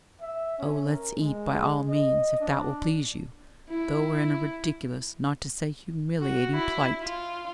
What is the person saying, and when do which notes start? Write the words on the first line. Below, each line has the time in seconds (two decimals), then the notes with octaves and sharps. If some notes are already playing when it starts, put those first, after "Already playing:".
"Oh, let's eat, by all means, if that will please you, though we're in a ridiculous, not to say humiliating, plight."
0.21 E5
0.59 C#4
0.91 A#4
1.19 G#3
1.88 D#5
2.40 D4
3.70 E4
6.21 F#4
6.54 E4
7.01 F4